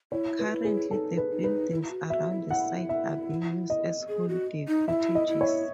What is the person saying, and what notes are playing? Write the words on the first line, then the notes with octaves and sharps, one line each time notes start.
Currently, the buildings around the site are being used as holiday cottages.
E4 C#5
B4
F#4
E4
G#4
D#4 A4
B4
D#4
B4
E4
F#4
F#4 E5
E4
E4 F#5
E5
D#5
G#4
F#4
D#4
E4 E5
D#5
E4
C#5